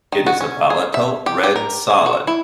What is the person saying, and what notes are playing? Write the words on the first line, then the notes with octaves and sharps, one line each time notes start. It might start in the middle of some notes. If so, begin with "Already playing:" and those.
It is a volatile red solid.
D#3
F#4
C#4
G#4
E5
G4
G4
A#4
G#4
F#4
E4